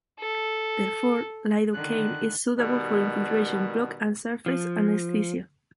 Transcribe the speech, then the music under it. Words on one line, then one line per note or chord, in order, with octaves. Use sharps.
Therefore, lidocaine is suitable for infiltration, block, and surface anaesthesia.
A4
D3 D#3 F#6
B2 D#3 G3
F3